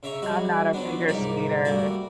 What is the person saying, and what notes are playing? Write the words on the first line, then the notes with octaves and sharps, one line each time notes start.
I'm not a figure skater.
C#3 E5 A#5 C#6
G3 G#3 F#4
F3 F#3 B3 D4
C2 G#2 A#3 D#4 G4 B5
G3 A3 A#3 F#4